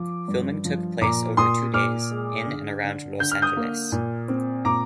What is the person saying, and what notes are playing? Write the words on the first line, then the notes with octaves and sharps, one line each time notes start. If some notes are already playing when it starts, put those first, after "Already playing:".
Filming took place over two days in and around Los Angeles.
Already playing: F3 D6
G2
F3
A#2 A#5 D6
A#2 C6 D#6
A#2 D6 F6
G#3
D3
D3
D3 G6
F6
D#6 G6
A#3
A#2
C4
A#2 A#5 D6